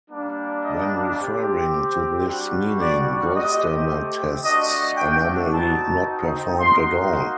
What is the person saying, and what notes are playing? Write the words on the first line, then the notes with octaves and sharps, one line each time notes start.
When referring to this meaning, gold standard tests are normally not performed at all.
G3 A#3 D4
D#5
C4 G4
G3 D4 F#4
D5
A3 C4 G4 D#5
A3 D4 F#4 D#5
G5
C4 D#4 F#4 A5
A#3 D#4 F#4 C6